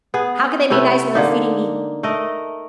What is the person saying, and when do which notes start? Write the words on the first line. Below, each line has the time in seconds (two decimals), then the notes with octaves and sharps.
How can they be nice when they're feeding me
0.14 B3 G#4
0.70 C3 A3 E4 B4
1.15 D3 A#3 D#4
2.03 A3 A#4 D#5